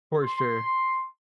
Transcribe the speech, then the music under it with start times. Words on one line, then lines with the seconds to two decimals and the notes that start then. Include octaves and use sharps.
For sure.
0.22 C6